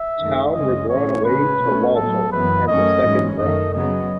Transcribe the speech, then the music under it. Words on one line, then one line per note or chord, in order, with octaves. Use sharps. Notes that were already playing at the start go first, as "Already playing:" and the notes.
Town were drawn away to Walsall in the Second round.
Already playing: E5
F#2 D#3 A3
F#2 C#3 G#3 C#4 D#5
A2 E3 A3 C#4 C#5
C#3 G#3 C#4 B4
B2 A3 C#4
A2 F#3 B3 A4
F#2 E3 B3 B4
F#2 D#3 F#3 A3 C#4 D#5
G#2 E3 G#3 C#4
F#2 D#3 A3 D#5
C#3 F#3 B3 D#5